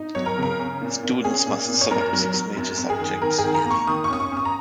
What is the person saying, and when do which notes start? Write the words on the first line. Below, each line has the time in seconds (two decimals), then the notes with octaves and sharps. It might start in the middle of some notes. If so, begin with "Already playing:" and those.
Students must select six major subjects yearly.
Already playing: D#4
0.15 F#3 C#5
0.26 A#4
0.38 C#3 A#4
0.59 C#4
0.81 A#2
1.03 A#2
1.24 C#4 G#4
1.47 A#2
1.69 A#2
1.81 C#5
1.91 F#2 A#4
2.13 F#3
2.34 F#3
2.57 F#2
2.78 F#2
2.90 G#4
3.00 D#3
3.21 D#3 A#4
3.38 G#4
3.44 D#3
3.55 A#5
3.65 A#3
3.70 C#6
3.87 D#3 D#6
4.04 C#6
4.10 C#4 D#6
4.20 C#6
4.32 C#4
4.37 D#6
4.45 A#5